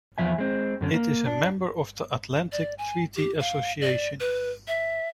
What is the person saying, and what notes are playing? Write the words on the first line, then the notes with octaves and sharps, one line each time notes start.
It is a member of the Atlantic Treaty Association.
E2 G#2 F3 E5 G#5
G#3 C4
F#2 D3 C#4
A#3
D4
D5
G#5
G4
F5
D5
B4
E5